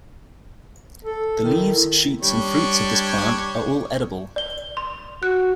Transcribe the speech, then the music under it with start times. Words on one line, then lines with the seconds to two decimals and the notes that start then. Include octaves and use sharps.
The leaves, shoots, and fruits of this plant are all edible.
1.05 A4
1.44 D#3 E4
2.21 G3 D4 C#5
4.36 D5 G7
4.77 C6
5.23 F#4 F#6